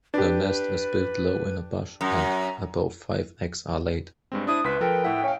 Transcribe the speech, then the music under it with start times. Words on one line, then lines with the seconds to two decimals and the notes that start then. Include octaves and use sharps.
The nest is built low in a bush and about five eggs are laid.
0.14 D4 G4 B4
2.01 F#2 A#5
4.32 G2 G#3 C4
4.47 D4 E4 C5 D#6
4.64 C#2 B4 E5 C6 B6
4.81 F3 A4 A#4 G5
5.04 A2 E4 F#5
5.23 C#4 E5 F5